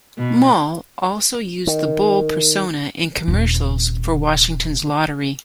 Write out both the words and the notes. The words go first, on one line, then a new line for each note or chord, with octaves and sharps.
Moll also used the Bull persona in commercials for Washington's Lottery.
B2
D#3
D#1 C3